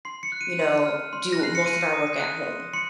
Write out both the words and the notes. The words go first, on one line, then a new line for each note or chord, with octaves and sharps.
you know, do most of our work at home.
C6 C7
C#7
F#6
D#7
C6
F6
C6
A#6
F#6 C7
C#7
C6 D#7
D#6
F#6
C6
C6 C#7